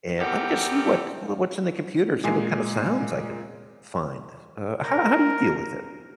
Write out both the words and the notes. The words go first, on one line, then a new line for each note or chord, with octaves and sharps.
and let me just see what wha what's in the computer, see what kinda sounds I can find." Uh, how how do you deal with it?
E2 B3 G4 A4 A#4
A#2 G#3 G#5 C7
A#4